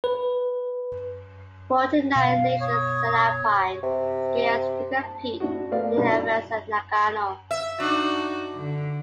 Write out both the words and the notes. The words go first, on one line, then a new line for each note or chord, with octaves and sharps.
Forty-nine nations sent alpine skiers to compete in the events in Nagano.
B4
B2 F5
C#5 D#6
C3
A5
D4 E4 F#4
A3 B3 A#4 B4 D5 F5
B1 D4 D#4 F5 B5
E4
E5
D4 D#4 F#4
D3